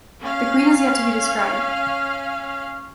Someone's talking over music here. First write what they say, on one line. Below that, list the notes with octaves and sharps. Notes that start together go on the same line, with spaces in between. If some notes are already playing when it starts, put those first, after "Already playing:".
The queen has yet to be described.
C#4 F5